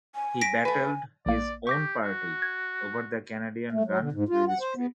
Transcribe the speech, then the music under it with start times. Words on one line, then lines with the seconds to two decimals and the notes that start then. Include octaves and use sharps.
He "battled his own party" over the Canadian gun registry.
0.15 G#5
0.41 A#6 B6 D7
0.65 A3 B4
1.26 A#1 A#3 D5
1.67 G4 C#6 D6 A#6
2.03 F#4
2.42 G#6
3.72 A3
3.85 F#3
3.99 D3
4.12 G#2
4.29 F4
4.48 F#5
4.60 C5
4.76 B3